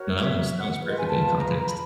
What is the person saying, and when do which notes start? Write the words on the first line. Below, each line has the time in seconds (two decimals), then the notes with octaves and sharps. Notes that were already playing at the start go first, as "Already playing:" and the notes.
No, that one's that one's perfectly in context,
Already playing: F#4 A#4 C#5
0.18 E5
0.48 E5
0.58 F#5
0.69 F#5
0.79 F4 G#4 B4
0.88 D#5
0.98 G#5
1.08 A5
1.38 A#5
1.48 B5
1.57 A#5
1.66 B5